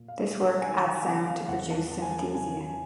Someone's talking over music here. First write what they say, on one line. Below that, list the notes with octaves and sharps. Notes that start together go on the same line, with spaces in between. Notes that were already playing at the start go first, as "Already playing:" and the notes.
This work adds sound to produce synesthesia.
Already playing: A#2
F5
G#3 E5
F#5
D#3 G#5
G5
C#3 F#5
F5
E2 F#5
A5
E3 A5
G#5
A5
C#3 G#5